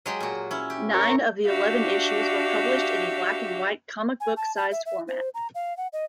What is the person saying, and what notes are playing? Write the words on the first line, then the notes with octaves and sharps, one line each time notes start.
Nine of the eleven issues were published in a black-and-white comic book-sized format.
F#3 G#3 G4
A#2 F#4
C#4 E4
G4
A#4 C#5
D4 F#4 G4 E5 F5
G#5
A5
A5
E5
E5
C5
A#5
F5
F#5
D#5